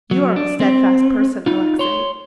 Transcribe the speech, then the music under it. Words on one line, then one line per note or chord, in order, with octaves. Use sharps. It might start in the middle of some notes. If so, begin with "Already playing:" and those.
You are a steadfast person, Alexey.
F#3
D4
C4
D#4 F4
C#5 C6